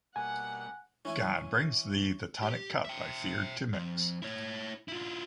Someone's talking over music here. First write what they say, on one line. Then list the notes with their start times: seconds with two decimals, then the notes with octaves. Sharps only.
God brings thee the tonic cup I feared to mix.
0.16 B2 G3 A#3 F#5 G#5
1.05 E3 C#4 E4 G#5
2.43 G4
2.85 E5 G5
3.73 F3 A4
4.22 E4 C#5
4.88 E4 F4